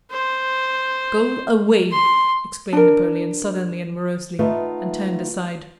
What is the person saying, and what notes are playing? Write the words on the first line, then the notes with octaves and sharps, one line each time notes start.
"Go away..." exclaimed Napoleon suddenly and morosely, and turned aside.
C5
C6
D4 A#4
A3 B3 D#4 F4 B4 E5